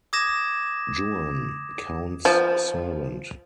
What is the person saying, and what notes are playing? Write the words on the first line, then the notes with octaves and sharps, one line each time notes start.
Juan: Count’s servant.
D6 D#6 G#6 A#6 E7
F3